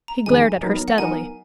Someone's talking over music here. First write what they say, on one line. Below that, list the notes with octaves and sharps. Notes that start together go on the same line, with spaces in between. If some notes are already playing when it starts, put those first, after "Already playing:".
He glared at her steadily.
A#5
F2 D#3 G#3 G#5
F#3 B3 D#4 A#4
F#5
F#3 B3 D#4 A#4 G#5